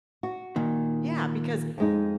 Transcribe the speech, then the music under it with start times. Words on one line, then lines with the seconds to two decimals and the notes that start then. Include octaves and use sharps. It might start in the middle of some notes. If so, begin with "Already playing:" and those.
yeah, because
0.23 F#4
0.56 A#2 D#3
1.78 F2 G#3 D#4